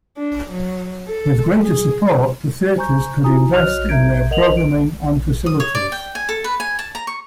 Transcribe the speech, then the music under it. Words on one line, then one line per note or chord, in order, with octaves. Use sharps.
With greater support, the theatres could invest in their programming and facilities.
D4
F#3
A4
G#4
C5 G#5 A#5 C#6 G6
D#4 E4 F#4 G#5 A#5 D#6
F#4 C#5 D#5 F6 F#6 F7
E5 A#5 G6 G#6 D7
A#4 D#5 F#5 F7 F#7
D7
D#6
C#5
D5
G5
G#5
A4
B4
G#5
A5
A#5
C#6